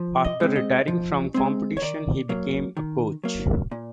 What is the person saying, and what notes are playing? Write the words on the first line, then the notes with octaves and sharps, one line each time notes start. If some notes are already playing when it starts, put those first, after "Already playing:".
After retiring from competition he became a coach.
Already playing: F3
D#5
G#3 C4
D#5
F3
G#3 C4
C#5
D#3 D5
F#3 A#3
D#3
F#3 A#3
A#2